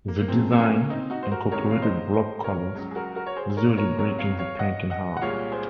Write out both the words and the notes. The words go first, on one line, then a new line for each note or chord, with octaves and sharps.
The design incorporated block colours, visually breaking the tank in half.
A#3
A#3
F#2 F3 G#3 C4
A#3 C#4
C4 D#4
D#4 F#4
C5
F#4 A#4
C#2 C3 D#3 G#3 A#4 C#5
F5
C5 D#5
C5 D#5
A#4 C#5
C#2 C#3 F#3
G#4
F#4 A#4
F#4 A#4
C#5
G#4 C5
A#4 C#5
A#4 C#5
C#2 C3 F#3 A#4 C#5
C#5 F5
C#5 F5
D#5 F#5
D#5 F#5
F#5
C2 A#2 G#3 C#5 F5
G#4 C5